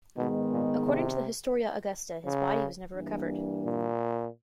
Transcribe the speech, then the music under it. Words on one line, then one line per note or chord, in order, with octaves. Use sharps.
According to the "Historia Augusta", his body was never recovered.
G#2 B2 D#3 G#3 B3
A#2
C3
C#3
G2 E3 G3 A#3 D4
A#2